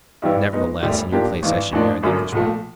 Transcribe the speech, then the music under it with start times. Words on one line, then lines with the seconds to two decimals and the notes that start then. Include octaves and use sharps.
"Nevertheless, in your place I should marry the Englishman."
0.22 G2 E3 G3 B3 E4
0.52 B2 G#3 B3 D#4
0.82 E1 D2 D3 G3
1.12 G#2 F3 A#3 D4 G4
1.42 G#1 G2 E3
1.72 A1 G#2 F3 A#3 D4
2.02 G#1 F#2 D3 F#3
2.32 B1 A#2 F3 A3